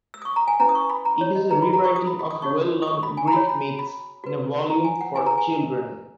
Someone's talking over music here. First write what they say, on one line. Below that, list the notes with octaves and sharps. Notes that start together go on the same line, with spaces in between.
It is a re-writing of well-known Greek myths in a volume for children.
E6
D#6
C#6
A#5
G#5
C#4 E4 B4 A#5
D#6
C#6
B5
A#5
C#5
D#5
D#4 G#4 B4 A#5
B5
A#5
C#6
D#6
B5
B5
D#6
D#4 F#4 C#5 C#6
D#6
C#6
B5
G#5
A#5
F#4 C#5 B5
B5
B5
F#4 B4
A#5
G#5
F#5
E4 G#4 B4 G#5
A#5
G#5